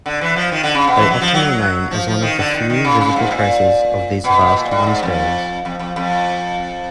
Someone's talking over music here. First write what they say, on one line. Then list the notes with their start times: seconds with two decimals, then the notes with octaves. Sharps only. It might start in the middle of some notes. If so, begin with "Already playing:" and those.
They often remain as one of the few visible traces of these vast monasteries.
0.06 D3
0.21 E3
0.36 F3
0.52 D#3
0.63 D3
0.75 C#3
0.87 B2
0.98 E3
1.11 F#3
1.21 F3
1.34 F#3
1.91 F3
2.08 F3
2.22 D#3
2.39 D3
2.54 D#3
2.70 D#3
2.85 C#3
3.01 C#3
3.16 G#2
3.31 A#2
4.24 B2
4.41 B2
4.56 A#2
4.71 A2
4.86 G#2
5.03 F2
5.65 F2
5.79 F2
5.96 F2